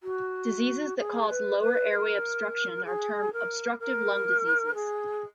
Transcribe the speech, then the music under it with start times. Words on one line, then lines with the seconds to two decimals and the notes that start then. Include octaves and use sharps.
Diseases that cause lower airway obstruction are termed obstructive lung diseases.
0.03 F#4
0.98 G#4
1.29 B4
1.60 B4
1.91 B4
1.95 A#4
2.85 G#4
3.33 A#4
3.80 A#4
4.74 G#4